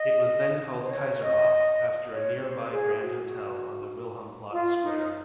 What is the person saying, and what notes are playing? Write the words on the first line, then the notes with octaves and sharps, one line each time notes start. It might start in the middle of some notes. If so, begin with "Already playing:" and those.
It was then called "Kaiserhof" after a nearby grand hotel on the Wilhelmplatz square.
Already playing: D#5
C5
C#5
D#5
C#5
C5
G#4
F#4
F4
D#4